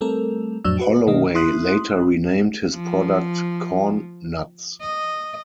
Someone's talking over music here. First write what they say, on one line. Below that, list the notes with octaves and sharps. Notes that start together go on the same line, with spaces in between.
Holloway later renamed his product CornNuts.
G3 A3 C4 A4 A#4
F2 A2 F#3 D4 E6
F#4 B4
B2 D#3 A#3 D#5
E4 C6 D#6 F#6
F3
D#5